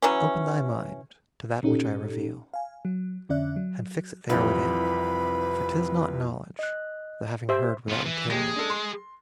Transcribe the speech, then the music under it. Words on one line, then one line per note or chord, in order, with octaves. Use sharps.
Open thy mind to that which I reveal, And fix it there within; for 'tis not knowledge, The having heard without retaining it.
E3 F#3 C#4
A#2 C#4 D#4 G4 A4
F5 G#5
F#3
F2 D3 C#4 D5 E5 F#6
F#3
C2 F2 C3 E3 E4 F4 B4 B5
D#5 F#6
G4 C5 E5
B3 F4
E3
D#2 G#3 G4 A#6
D4 A4
C6